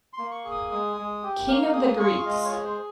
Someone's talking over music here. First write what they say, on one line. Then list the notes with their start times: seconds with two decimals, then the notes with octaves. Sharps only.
"King of the Greeks".
0.13 C6
0.19 A#3
0.31 C#6
0.44 G#4
0.51 D#6
0.71 G#3 D#6
0.97 G#3
1.23 G4
1.49 A#3 F6
1.74 G#4 D#6
2.00 F4 C#6
2.18 F5
2.26 G#3 D#5
2.45 C#5
2.51 G#4
2.64 C5